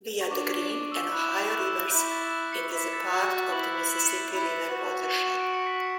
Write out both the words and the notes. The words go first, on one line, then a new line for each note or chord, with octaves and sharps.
Via the Green and Ohio rivers, it is part of the Mississippi River watershed.
C#6
D4 D6
D6
C#6
D6
E6
E4 F#6
G6
F#6
E6
F#6
E4 G6
A6
C#7
C#7
E4 B6
A6
F#6
F#4 G6
A6
E4 F#7
E7
C#7
E4
F#4
E7
F#7
E7
D7
C#7
B6
C#7